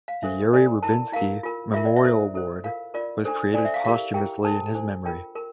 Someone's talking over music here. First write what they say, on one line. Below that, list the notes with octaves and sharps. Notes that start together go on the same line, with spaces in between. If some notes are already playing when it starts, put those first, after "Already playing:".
The Yuri Rubinsky Memorial Award was created posthumously in his memory.
F5
D4 A4 C5 E5
D4 A4 C5 D5
E4 A#4 A5
E4 A#4 F5
F4 A#4
F4 A#4 E5
D5
E5
E4 A4 C5
E4 A4 C5
F4 A#4 F5
F4 A#4 D5
D4 A4 C5
D4 A4 C5 D5
E5
F5
E4 G4 A#4 F5
E4 G4 A#4 G5
D4 A4 C5 A5
D4 A4 C5
F4 A#4 G5
A#4